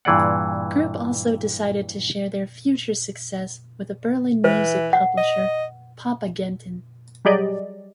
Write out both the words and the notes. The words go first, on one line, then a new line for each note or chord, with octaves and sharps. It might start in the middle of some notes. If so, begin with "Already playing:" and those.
Group also decided to share their future success with a Berlin music publisher "Popagenten".
G2 A#2 E3 G#4 D5 F#5
E3 B4
F#5
D#5
F#3 G3 G4 G#4 D5 D#5